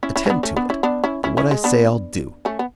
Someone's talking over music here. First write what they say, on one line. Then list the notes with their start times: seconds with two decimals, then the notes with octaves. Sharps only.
Attend to it; for what I say I'll do.
0.03 C#4 E4
0.16 C#4 E4
0.26 C#4
0.30 B3 D4
0.43 A3 C#4
0.56 B3 D4
0.70 C#4 E4
0.83 B3 D4
1.04 C#4 E4
1.24 C#4 E4
1.37 C#4 E4
1.51 G#3
1.64 B3 D4
2.45 A3 C#4
2.59 B3